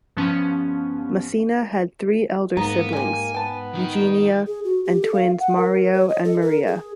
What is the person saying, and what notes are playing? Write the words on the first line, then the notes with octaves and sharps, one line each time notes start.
Masina had three elder siblings: Eugenia, and twins Mario and Maria.
G2 F3 B3 C#4
G#2 A#3 B3 A#5
G#3 G4 G#5
B3 G5 A5
D#3 D#4
G#4
F#4
G4
A4
F5
F#5
A#4
C#5
D#5
A4
A#4
G#4